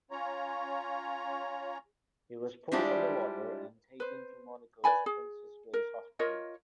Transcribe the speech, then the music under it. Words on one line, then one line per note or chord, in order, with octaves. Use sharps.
He was pulled from the water and taken to Monaco's Princess Grace Hospital.
C#4 F4 C#5 A#5
G3 G#3 D4 E4 F4 G4
B4 C5
B4 D5 G#5 B5
G#4
A#4
F4 A#4 C#5 D#5